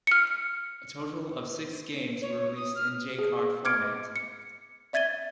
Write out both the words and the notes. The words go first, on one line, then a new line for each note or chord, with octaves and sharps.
A total of six games were released in J-Cart format.
F6 C#7
C#5
D#6
F6
G#4
D6 F6 G#6 C#7 D7
C#7
D5 E5 G#6 A6 D#7 G7